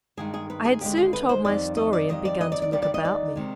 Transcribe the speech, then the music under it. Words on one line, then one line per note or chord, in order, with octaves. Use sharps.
I had soon told my story and began to look about me.
G2 D#3 G#3 G#4
G#4
B4
G#4
D#2 D3 G#3 G4
G#4
B4
C5
F2 D#3 G3 D5
D#5
D5
F2 D#3 G3 D#5
D5
D#5
D5
D5
D#2 D#3 G3 D5
D5
D#5
D5
C3 D#3 G#3